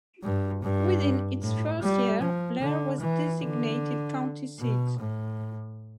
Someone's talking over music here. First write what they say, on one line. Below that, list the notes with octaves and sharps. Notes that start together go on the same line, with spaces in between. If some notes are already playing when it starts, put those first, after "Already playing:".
Within its first year, Blair was designated county seat.
G2
G2
A2
G3
F3
D3
E3
D3
B2
A2